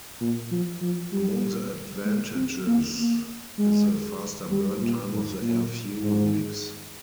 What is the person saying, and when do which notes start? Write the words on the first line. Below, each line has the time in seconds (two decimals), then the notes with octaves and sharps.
Among the advantages is a faster burn time of the air-fuel mix.
0.21 A#2
0.52 F3
0.82 F3
1.12 G3
2.05 G#3
2.35 C4
2.67 A#3
2.97 A#3
3.58 G#3
4.51 G3
4.81 A#2
5.11 G#2
5.42 A#2
6.03 G#2